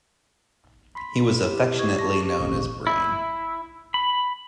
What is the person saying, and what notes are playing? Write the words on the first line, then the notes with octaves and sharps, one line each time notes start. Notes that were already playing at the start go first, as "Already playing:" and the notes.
He was affectionately known as "Brain".
B5 C6 B6
E4 G4
D#5 C#6 G#6
A5 A#6
G#1 D2 A#2 C#4
E4
B5